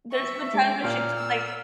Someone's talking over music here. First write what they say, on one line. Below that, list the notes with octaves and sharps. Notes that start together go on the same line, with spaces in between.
There's been times where she's like
E5 C#6
G#3 D6
A#2 C#4 F4 F6 G6
E6